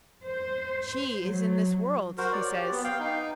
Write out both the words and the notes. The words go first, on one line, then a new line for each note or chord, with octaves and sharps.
"She is in this world," he says.
C5
F#3
F#4 A#4 C5
C#5 D5
G4
B3
F5 G5
D#4